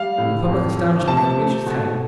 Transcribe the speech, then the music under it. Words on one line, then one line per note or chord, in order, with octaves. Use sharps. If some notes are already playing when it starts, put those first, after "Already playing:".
The public astonishment had reached its height.
Already playing: G3 F5
A2
F2
F3
C3 A5
A3
B2